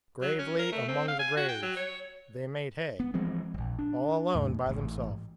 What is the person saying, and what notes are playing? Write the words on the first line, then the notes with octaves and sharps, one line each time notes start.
Gravely among the graves, they made hay, all alone by themselves.
F#3
C#4
A#4
A3
C4
F5
G#5
F#4
G5
F#3
C#5
B3
E3 F3 G#3 C4
E1 A#1
D4
E2 A2
A1 G#2